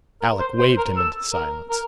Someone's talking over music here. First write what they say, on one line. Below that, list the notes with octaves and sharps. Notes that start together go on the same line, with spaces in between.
Alec waved him into silence.
A#4
C5
C5
A#4
A4
A#4
A#4